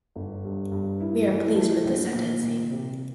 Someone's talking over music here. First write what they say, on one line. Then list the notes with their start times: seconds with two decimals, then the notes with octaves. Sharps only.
We are pleased with the sentencing.
0.16 G1
0.44 G2
0.72 G2
1.00 E4
1.28 E3
1.56 A3
1.84 A#1
2.14 A#2
2.41 A#2
2.70 C3